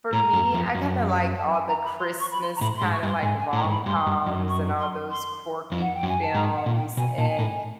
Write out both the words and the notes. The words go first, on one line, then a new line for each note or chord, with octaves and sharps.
for me, I kinda like all the Christmas kinda like rom-coms and all those quirky films and,
A2 A#5
F#2
F2
F#2
A5
G#5
A#5
B5
C6
C#6
B5
C6
A#5
A2 B5
C6
G#2
C#6
G2
C6
G#2 G#5
G#5
A2 A#5
G#2
B5
G2 C6
G2
F#2
C#6
C6
C6
F2
F#5
G5
F#2
G#5
A5
G#2 A#5
F#5
A#2
G5
B2 G#5
A#2 A5
G#5
A2